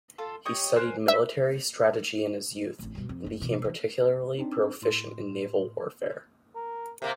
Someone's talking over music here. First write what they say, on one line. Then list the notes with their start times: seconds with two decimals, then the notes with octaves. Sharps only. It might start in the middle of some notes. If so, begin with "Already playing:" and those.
He studied military strategy in his youth, and became particularly proficient in naval warfare.
0.18 F4 A4
0.45 G4 C#5 D#5 G6
0.76 A#4 C5 G#5 F#6
1.08 E5
2.79 D1 A1
2.95 G2 B2
3.09 F2
3.24 F#1 D3
3.41 B2 E3
3.64 E3
4.39 C4 D4 D#4
4.82 A2 C6
6.55 A#4
7.02 C3 A#3 A#4